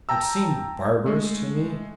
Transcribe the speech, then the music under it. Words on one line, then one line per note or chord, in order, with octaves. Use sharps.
It seemed barbarous to me.
G5 A5 A#5 E6
G#3 A3